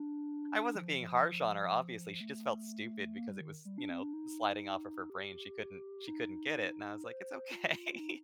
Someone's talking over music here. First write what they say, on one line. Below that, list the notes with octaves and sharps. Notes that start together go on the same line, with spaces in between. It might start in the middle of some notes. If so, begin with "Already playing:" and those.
I wasn't being harsh on her, obviously. She just felt stupid because it was, you know, sliding off of her brain. She couldn't she couldn't get it, and I was like, it's okay.
Already playing: D4
F3
F3
A3
A#3
G3
D#3
G3
D4
C4
D4
D#4
G4
D#4
C5
F4
D#4